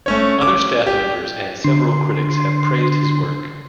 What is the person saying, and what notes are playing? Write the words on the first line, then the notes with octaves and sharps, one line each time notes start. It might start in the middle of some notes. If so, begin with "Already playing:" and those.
Other staff members and several critics have praised his work.
A3 C#4 C#5
D6
G4
D3 C6